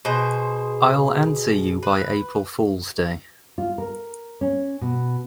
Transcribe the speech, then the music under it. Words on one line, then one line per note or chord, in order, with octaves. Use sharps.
I'll answer you by April Fool's Day.
B2 G#4 C5
B4
F4
A#4
C#4
B2